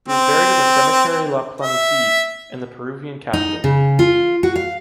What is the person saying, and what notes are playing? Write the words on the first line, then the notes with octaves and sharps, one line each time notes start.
He was buried in the Cemetery La Planicie, in the Peruvian capital.
C4
E5
D#4
C#3
F4
F#4
F5